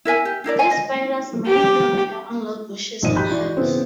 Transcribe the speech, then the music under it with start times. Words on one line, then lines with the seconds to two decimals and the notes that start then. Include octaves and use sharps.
These spiders mainly occur on low bushes and herbs.
0.05 E4 A#4 E5 G#5
0.25 G4
0.44 D4 E4 A#4 D5
0.59 G#5
0.71 D#5
1.47 G4
3.02 G#1 A#2 F3 D#4 D#5 D#7
3.16 G4 B5 F#6 G6
3.29 E3 F#4 D5
3.57 C#3 E3 B3 C4